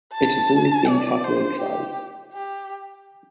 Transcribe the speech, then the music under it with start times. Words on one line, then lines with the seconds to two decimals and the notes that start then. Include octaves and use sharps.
It has always been tabloid-size.
0.13 A5
0.87 D5
1.23 C5
1.60 G4
2.33 G4